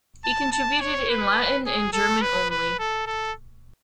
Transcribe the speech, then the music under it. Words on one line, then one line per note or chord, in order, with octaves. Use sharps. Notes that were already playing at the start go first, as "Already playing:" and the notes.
He contributed in Latin and German only.
A5
A5
C#5
B4
G#4
A4
B4
B4
A4
A4